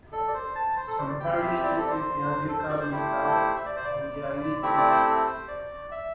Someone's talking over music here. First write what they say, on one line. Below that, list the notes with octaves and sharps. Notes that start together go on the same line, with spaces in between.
Some parishes use the Anglican Missal in their liturgies.
A4
D5
C5
A5
C5
A4
C5
D5
C4 E4 G4 G5
E5
D5
A4
D5
C5
A4
C5
D5
C5
A3 E4 G4 C5
A4
C5
E5
D5
C5
D5
A3 C4 E4 G4 E5
D5
C5
A4
C5
D5
E5